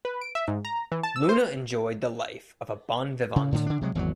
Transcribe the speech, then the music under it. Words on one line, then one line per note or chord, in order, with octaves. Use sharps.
Luna enjoyed the life of a "bon vivant".
B4
D7
E5
G#2
A#5
E3
A5
E6
C5
C#3
A2 D3
D3 D4
C3 F#3 G#3
G#1 E2 C3 F#3